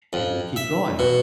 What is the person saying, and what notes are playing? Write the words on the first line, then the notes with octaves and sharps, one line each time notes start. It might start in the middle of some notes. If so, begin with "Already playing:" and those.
and they keep going,
F2
E5
B2